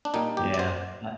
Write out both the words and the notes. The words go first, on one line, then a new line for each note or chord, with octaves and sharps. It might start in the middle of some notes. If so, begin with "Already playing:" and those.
Yeah I
D4
A#2 G3 D#4
G4
D5
C5